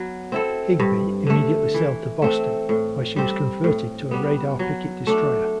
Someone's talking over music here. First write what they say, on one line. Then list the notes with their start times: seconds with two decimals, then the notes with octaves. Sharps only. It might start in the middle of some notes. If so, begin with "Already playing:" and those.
"Higbee" immediately sailed to Boston, where she was converted to a radar picket destroyer.
Already playing: F#3 B3
0.32 C4 E4 A4
0.80 G2
1.27 D3 A3
1.74 E3
2.22 A3 C4
2.69 A2
3.16 G3 C4
3.64 A2
4.11 G3 B3
4.59 F#3
5.07 A3 D4